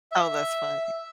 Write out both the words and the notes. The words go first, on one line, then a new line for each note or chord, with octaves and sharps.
Oh, that's funny.
E5